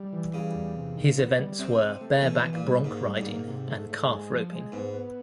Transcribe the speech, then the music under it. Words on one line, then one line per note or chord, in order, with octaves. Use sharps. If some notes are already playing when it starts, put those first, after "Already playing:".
His events were bareback bronc riding and calf roping.
Already playing: G3
E3
C#3 G3
E2
C3
D#3
B3
G3
C3 C4
C4
A3
B2 E3
E3
A#2
G3
G#2 A#3
G3
G#2
A#3
C3
A3
A3
G#3
F3
G#3
G#2 B3
B3